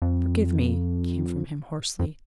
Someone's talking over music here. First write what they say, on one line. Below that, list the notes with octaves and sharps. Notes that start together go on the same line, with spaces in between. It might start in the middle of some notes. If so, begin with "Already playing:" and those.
"Forgive me," came from him hoarsely.
F2
F2